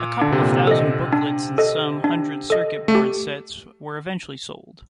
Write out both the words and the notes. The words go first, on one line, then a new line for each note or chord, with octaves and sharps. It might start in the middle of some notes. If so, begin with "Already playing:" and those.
A couple of thousand booklets and some hundred circuit board sets were eventually sold.
Already playing: A#2
D3 D4
C3
A#2
C3
A4 D#5
D4
A4 D#5
D4
A4 D#5
A3
G4